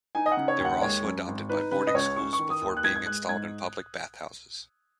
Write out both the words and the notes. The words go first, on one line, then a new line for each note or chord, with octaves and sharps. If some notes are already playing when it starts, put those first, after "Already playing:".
They were also adopted by boarding schools, before being installed in public bathhouses.
D#4 G#5
D#5
F#5
C#3
C#5
D#2
F#5
G#3 C#5
F#2
G#1
D#4 B4
C#3 B4
D#5
C#2 C#5
C#4 C#6
C#6
D#3
D#6
D#2
F#6
G#2 G#6
G#6
G#3 F#6
G#2 G#6